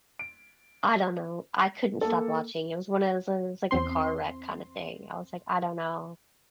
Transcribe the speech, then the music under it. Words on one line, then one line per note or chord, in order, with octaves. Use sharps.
I don't know, I couldn't stop watching, it was one of those, it's, like, a car wreck kinda thing. I was, like, I don't know.
D7
A#3 A4
E2 C4 C6